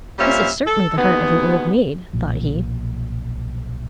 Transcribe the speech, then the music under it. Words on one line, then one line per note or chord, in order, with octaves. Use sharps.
"This is certainly the heart of an old maid," thought he.
A#2 G3 C4 C#4 E5 F5
A4
D#2 B2 G#3 B3
B1 A#2 F3